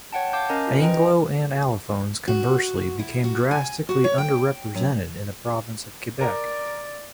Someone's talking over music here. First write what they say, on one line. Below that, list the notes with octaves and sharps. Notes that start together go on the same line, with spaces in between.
Anglo and Allophones, conversely, became drastically under-represented in the province of Quebec.
C#5 F#5 G5 A5
F5 A5 D6 G6
C#4 A#4 D#5 G#5 A#5
F4
B4 D#5 G5 A#5
F#4
E4
F#4
G#5
F#4
C#5
G5
F#2
A#4 D5